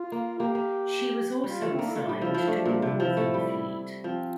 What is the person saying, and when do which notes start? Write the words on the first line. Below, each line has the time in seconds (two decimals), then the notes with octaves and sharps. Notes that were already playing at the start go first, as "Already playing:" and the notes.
She was also assigned to the Northern Fleet.
Already playing: F4
0.12 A#3
0.39 A#3 G4
0.55 A#3
1.44 G3 F4
1.62 A3
1.74 C4
1.79 A#3 D4
1.88 E4
1.95 A3 F4
2.09 G3 D4
2.22 F3 E4
2.34 F3
2.47 A3 D4
2.66 A#2
2.82 C3
2.99 F3 E4
3.17 A3
3.34 G3
4.03 F3 C4